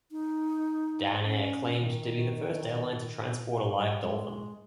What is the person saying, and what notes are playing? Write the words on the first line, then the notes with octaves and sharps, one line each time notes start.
Dan-Air claimed to be the first airline to transport a live dolphin.
D#4
C#4
D#3
G3
G#3